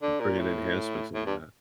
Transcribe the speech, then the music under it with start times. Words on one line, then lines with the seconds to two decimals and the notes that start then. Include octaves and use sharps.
bringing enhancements into that.
0.02 D3
0.20 A#2
0.39 A2
1.14 A2
1.26 G2